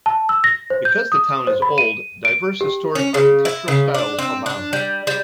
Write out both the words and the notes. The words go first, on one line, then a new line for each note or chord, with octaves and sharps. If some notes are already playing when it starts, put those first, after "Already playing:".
Because the town is old, diverse historic architectural styles abound.
A5
E6
A#6
C5
G6
D#6
C5
B5
D#7
D7
G4
C#4
C#3
E4
C#3
D4
C4
D4
G3
G3